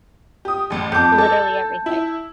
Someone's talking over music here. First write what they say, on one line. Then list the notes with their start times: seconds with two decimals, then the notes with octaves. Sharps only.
Literally everything.
0.45 G4 D#6
0.70 A1 D#2
0.92 F2 A5 D6 G6
1.18 A4
1.86 E4